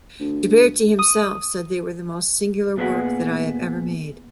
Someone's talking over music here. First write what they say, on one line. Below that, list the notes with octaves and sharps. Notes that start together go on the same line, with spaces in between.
Ghiberti himself said they were "the most singular work that I have ever made".
D2
D#6
A#2 B3 G#4 A4 B4 F#5